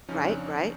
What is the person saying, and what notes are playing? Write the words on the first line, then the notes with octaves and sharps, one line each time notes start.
Right, right.
F2 C#3 F3 C#4 D#4
C4 D4